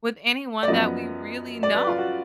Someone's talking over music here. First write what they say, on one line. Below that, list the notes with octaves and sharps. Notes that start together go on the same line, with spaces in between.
with anyone that we really know.
D5
F#2 F3 B3 D#5
D5
B4
F4
F#4